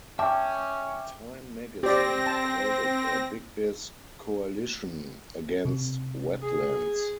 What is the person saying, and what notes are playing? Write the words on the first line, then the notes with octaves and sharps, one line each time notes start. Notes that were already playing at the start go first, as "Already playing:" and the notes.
"Time Magazine" called it "a big-biz coalition against wetlands".
C#4 E5 G5 A5 D6
C4 G4 D5 A#6
A5
C3
G#4